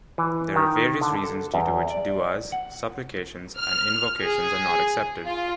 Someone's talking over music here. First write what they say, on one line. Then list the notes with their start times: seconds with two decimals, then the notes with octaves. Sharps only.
There are various reasons due to which Du'as, supplications and invocations are not accepted.
0.18 E3
0.56 D#3
1.01 D3
1.24 A4
1.54 E2
1.90 D5
2.52 F#5
3.57 F6
4.22 G#4
5.26 F4